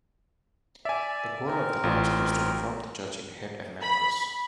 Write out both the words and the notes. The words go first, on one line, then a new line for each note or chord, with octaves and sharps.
The goal of the council was to reform the church in head and members.
D5 E5 G#5
C4 A#4
A1 F4
B5